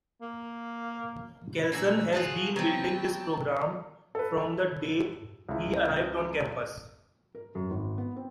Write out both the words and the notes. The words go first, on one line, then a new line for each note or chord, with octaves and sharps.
Kelson has been building this program from the day he arrived on campus.
A#3
A#2 D4 F#4 G#5 E6
F4 F#4 G#4 A5 F#6
F#3 B3 C4 G5 A5
A4 B4
C#2 E4
A#4
F#2
G#1
B3
C4